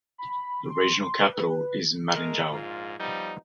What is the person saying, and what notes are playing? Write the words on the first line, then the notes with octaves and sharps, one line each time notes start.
The regional capital is Madingou.
B5
C6
B4
G#3 A3 A#4
A#1 G#2 F4
F3 G3 B3 D#4